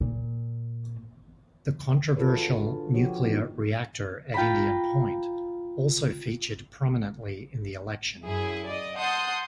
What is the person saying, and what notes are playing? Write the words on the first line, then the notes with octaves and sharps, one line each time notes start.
The controversial nuclear reactor at Indian Point also featured prominently in the election.
A#2
F4 G#4 A4 B4 C#5
D3 F#4
F3 F#4 G4 C#5
D#3 E3 A#3 B3 D4 D#4
F4 G5 A#5 B5
F#2 E4 G#4
D5 D#5
F#5 A5 C6 D#6 G6